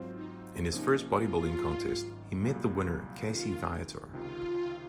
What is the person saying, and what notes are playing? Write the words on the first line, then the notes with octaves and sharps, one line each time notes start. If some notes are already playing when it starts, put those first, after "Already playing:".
In his first bodybuilding contest, he met the winner, Casey Viator.
Already playing: G#2 F#3 C4 F4 C5
D#4
C3 F3 A#3 C#4 D#4
F4
G#1 G#2 D#3 F#3
C2 A#2 F#3 A#3
C3 D#3 A#3 C#4 F4 G#4
C#2 C3 D#3 F4